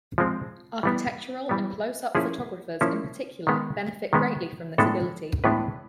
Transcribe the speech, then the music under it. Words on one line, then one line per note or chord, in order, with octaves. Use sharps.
Architectural and close-up photographers in particular benefit greatly from this ability.
F3 G#3 C4
E3 G3 B3
E3 G3 B3
F3 A#3 C#4 E4 G#4
F3 A#3 C#4 E4
D#3 G#3 B3
D#3 G#3 B3
A2 E3 G#3 B3 D4 A4
A2 E3 G#3 B3 D4 B4